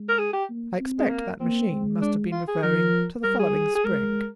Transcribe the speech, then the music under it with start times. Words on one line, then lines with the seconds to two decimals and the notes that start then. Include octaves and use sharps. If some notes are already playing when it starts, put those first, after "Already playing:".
I expect that machine must have been referring to the following spring.
Already playing: G#3
0.09 A#4
0.18 G#4
0.33 G4
0.49 A#3
0.80 C4
0.99 G#3
1.10 A#3
1.40 A#3 C4
1.71 G#3
2.01 D4
2.32 F4
2.48 G#4
2.62 F3 A#4
3.23 G3 A#4
3.39 G#4
3.75 G#4
3.85 G#3 A#4